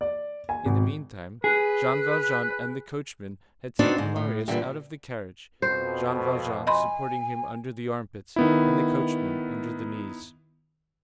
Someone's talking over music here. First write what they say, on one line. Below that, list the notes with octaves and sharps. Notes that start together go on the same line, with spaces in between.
In the meantime Jean Valjean and the coachman had taken Marius out of the carriage, Jean Valjean supporting him under the armpits, and the coachman under the knees.
D5
G#5
G#1
G#4 B4
B3 C4 D4 D#4 F#4 D5
G#2
A2
A#2 D3 E3 G3
F2 B2 C5
D#5 G#5 B5 C6
D#3 B3 E4